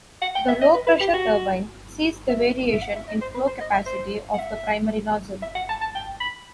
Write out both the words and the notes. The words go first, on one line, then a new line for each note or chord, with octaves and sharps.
The low pressure turbine 'sees' the variation in flow capacity of the primary nozzle.
F#5
G5
E5
D#5
B4
B4
G4
F#4
E5
E5
F#5
E5
D#5
C5
B4
C5
D#5
E5
C5
F#5
E5
E5
F#5
A5
A5
G5
B5